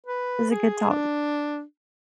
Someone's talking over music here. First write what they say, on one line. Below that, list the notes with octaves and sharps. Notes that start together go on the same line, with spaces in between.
It was a good talk.
B4
G#4
D4